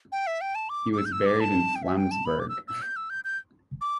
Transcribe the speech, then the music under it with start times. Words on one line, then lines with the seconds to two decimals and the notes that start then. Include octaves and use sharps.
He was buried in Flensburg.
0.12 G5
0.27 E5
0.41 G5
0.55 A5
0.69 D6
0.93 D6
0.98 E6
1.05 G6
1.12 E6
1.26 D6
1.40 A5
1.76 G5
1.83 E5
1.97 G5
2.11 A5
2.25 B5
2.40 D6
2.49 E6
2.68 E6
2.82 G6
2.96 E6
3.10 G6
3.25 G6
3.81 D6